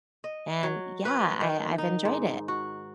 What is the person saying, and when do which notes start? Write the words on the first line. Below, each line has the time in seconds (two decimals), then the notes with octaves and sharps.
And yeah, I I've enjoyed it.
0.24 D#5
0.63 F#3
1.05 B4
1.41 D#3
1.78 D#4
2.05 G#2
2.48 F#4